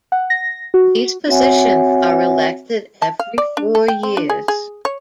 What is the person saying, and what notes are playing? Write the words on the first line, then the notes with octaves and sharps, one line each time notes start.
These positions are elected every four years.
F#5
A#6
F#4
C4 F#4 C#5 E5 F#5 G#5
A5
F5
D5
D4
A4
G5
C4
D4
G#4
G#4
C#5